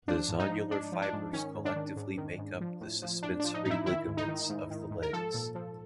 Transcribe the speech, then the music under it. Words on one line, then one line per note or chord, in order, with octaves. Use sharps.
The zonular fibers collectively make up the suspensory ligament of the lens.
F3 D4
G#2
D#4
F3
G#2 D4
F3
D4
G#2
D#3 C#4
G#2
D4
D#3
G#2
D#3
G#2
F3
A2
F3
A2 D4
F3 D4
D#4
A2 D#4
E4
D#3 E4
G#2
D#4
D#3
G#2
D#3
G#2
A#4
F3 A4
A#2
F3